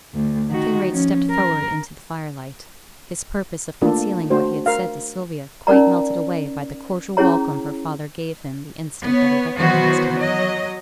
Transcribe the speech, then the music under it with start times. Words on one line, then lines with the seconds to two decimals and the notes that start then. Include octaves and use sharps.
Kinraid stepped forward into the firelight; his purpose of concealing what he had said to Sylvia quite melted away by the cordial welcome her father gave him the instant that he recognized him.
0.14 D2
0.50 D#3 F#4
0.91 F3 C#4
1.31 A#4
3.82 A3 A#3 D4 F4 A4
4.30 A3 D4 F#4 C5
4.66 A#4 F5
5.67 C#4 D#4 A#4 D5 A#5
7.17 C#4 E4 G#4 C#5 A#5
9.02 B3 C#5
9.57 D#3 E3 F#3 B3 F#4 C5
10.14 F#3 D#5